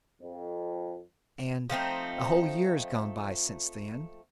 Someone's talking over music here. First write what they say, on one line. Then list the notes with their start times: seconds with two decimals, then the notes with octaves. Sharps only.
And--a whole year's gone by since then.
0.21 F2
1.70 F3 A3 C4 D#4